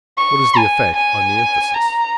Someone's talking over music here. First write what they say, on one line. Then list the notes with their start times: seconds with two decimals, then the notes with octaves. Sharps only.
What is the effect on the emphasis?
0.18 C#6
0.57 G#5
0.96 G#5
1.74 A#5